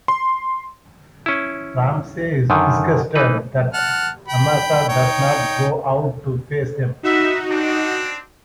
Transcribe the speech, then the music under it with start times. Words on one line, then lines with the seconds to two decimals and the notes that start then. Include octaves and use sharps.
Ramsay is disgusted that Amasa does not go out to face them.
0.08 C6
1.26 C#4 E4
2.50 F#2 D3 D#3
3.15 E3 D#4 B4
3.73 F#5 A5 F6
4.28 G5 B5
4.89 D#4 C#5 G5
7.03 D#4 F#4 B4 E5
7.49 C4 D4